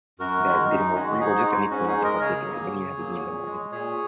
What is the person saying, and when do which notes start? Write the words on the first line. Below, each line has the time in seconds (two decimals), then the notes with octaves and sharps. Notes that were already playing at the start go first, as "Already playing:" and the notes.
that didn't work for you? Or just anything in particular, it doesn't even have to be in the morning.
0.20 F#2 F#4 A#4
0.45 D#3 G#3
0.70 F#2 D#4
0.95 D#3 G#3 C#4 F#4
1.21 G#2 D#4 G#4
1.38 F#4
1.45 G#3 D#4
1.70 G#2 C#4 F#4
1.87 D#4 G#4
1.96 G#3
2.04 A#4 D#5
2.21 C#3 G#4 C#5
2.46 F#3 A#3
2.71 C#3
2.97 F#3 A#3
3.22 A#2
3.46 G#3
3.72 A#2 G#4 C#5